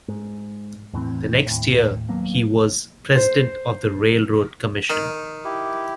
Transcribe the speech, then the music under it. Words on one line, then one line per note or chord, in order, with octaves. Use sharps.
The next year he was President of the Railroad Commission.
G#2
E2 A2 E3 C4
D#2 A2
D#2 F#3 A#3 B3
C5
D#3
E4 G4